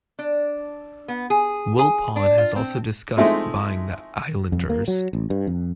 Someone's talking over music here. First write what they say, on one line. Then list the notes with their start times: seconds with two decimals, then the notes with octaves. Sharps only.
Wilpon has also discussed buying the Islanders.
0.19 D4
1.08 B3
1.30 G#4
1.79 G#4
2.16 D4
2.38 F4
2.56 C4
3.17 F3 G#3 A3 C4 D#4 E4
4.52 F2
4.70 A#3
4.88 F#3
5.13 A1
5.30 G2
5.47 F2